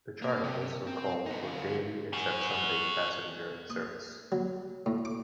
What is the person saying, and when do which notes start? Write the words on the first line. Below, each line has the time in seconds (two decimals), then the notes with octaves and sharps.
The charter also called for daily-except-Sunday passenger service.
0.22 A#3
0.43 C3
0.87 C4
1.26 B3 D#4
1.43 D3 F5
2.13 C#4 F#4
3.70 D#6
4.32 F#3
4.86 A2
5.05 D6